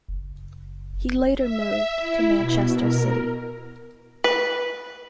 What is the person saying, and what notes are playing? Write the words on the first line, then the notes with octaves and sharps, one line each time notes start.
He later moved to Manchester City.
F#1
E5
E4
B2
A#4
B4